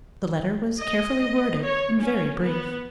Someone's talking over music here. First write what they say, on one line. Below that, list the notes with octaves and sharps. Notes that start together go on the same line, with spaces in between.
The letter was carefully worded, and very brief.
D#5
C#5
C#4
B3